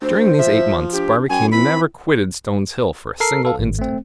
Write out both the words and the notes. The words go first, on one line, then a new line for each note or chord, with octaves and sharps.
During these eight months Barbicane never quitted Stones Hill for a single instant.
D2 C5
F3 E5
D4 G4
F#2 G5 G#5
E3 C4 B5
A4 A#4 C7
A4 F5
G#1
A3 C4